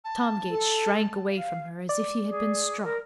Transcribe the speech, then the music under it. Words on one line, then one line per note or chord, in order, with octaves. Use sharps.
Tom Gates shrank away from her as if he had been struck.
A5
A4
F5
D5
G#4
A#4